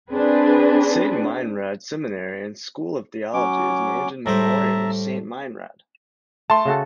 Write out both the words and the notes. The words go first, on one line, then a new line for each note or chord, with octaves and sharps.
Saint Meinrad Seminary and School of Theology is named in memoriam of Saint Meinrad.
C4 D4 G#4 B4
F#3 C#4 D6
A2 G3 C5 E5 A5 A#5
A3 A5 C6
C#3 F#4 A4